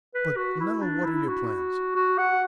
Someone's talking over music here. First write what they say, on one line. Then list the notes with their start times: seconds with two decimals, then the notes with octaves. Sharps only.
But now what are your plans?
0.14 B4
0.37 F#4
0.60 E4
0.82 D4
1.04 E4
1.28 F#4
1.95 F#4
2.18 F#5